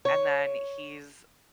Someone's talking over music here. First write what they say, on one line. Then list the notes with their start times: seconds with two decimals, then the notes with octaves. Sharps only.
and then he's
0.05 C#5